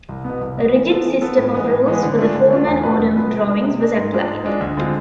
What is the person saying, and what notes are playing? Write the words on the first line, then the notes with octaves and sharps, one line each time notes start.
A rigid system of rules for the form and order of drawings was applied.
C2
B2 B3
C2
B2 B3
E3
B3 F4 A4
E3
B3 F4 A4
A2
E3 G#3 B3
A2
E3 G#3 B3
D3
A3 D4 F4
D3
A3 D4 F4
E2
B2 B3 F4 B4
E2
B2 B3 F4 B4
C3
G#3 D4
C3
G#3 D4
G#2
G#3 D4 F4
G#2
G#3 D4 F4
D2
D3 G#3 C4 F4